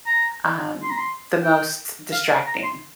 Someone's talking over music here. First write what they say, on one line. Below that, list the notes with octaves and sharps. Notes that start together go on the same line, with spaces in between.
um, the most distracting.
A#5
C6
A#5
C6
G5
F5
A5
A#5
C6